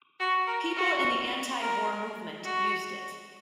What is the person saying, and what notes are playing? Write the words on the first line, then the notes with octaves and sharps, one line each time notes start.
People in the anti-war movement used it.
F#4
A#4
F#4
A#4
F#4